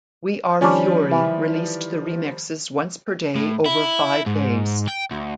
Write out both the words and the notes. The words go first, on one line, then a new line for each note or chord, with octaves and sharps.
We Are Fury released the remixes once per day over five days.
D#3 F3 G3 C#4 D4
E3
A2
E4
G#2
G5
D2